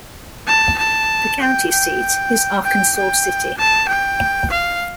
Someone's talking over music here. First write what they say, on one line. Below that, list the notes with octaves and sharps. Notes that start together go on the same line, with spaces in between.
The county seat is Arkansas City.
A5
A5
G5
G5
G5
G5
A5
G5
F5